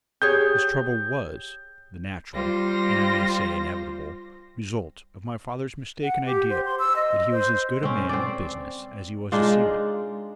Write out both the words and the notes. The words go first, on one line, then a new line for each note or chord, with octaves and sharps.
This trouble was the natural--and I may say inevitable--result of my father's mistaken idea that he was as good a man of business as he was a seaman.
G4 G#4 C#5 G6
G3 F4 C5 A#6
F#5
G4
C5
C6
E6
D#5
C5
C4 C#4
C4 D5
G#3 D4 D#4 F4